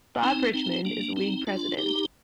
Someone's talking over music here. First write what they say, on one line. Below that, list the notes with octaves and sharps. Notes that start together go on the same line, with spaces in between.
Bob Richmond is the league president.
C4 D#4
C4 D#4
A#3 D4
C4 D#4
D4 F4
D#4 G4